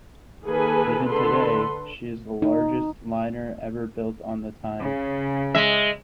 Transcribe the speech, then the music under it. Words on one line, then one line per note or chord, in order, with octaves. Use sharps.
Even today, she is the largest liner ever built on the Tyne.
D#3 A#3 G#4 A4 B4 G#5
D3 A4 B4 C6
D#4
C#3
G#3 E5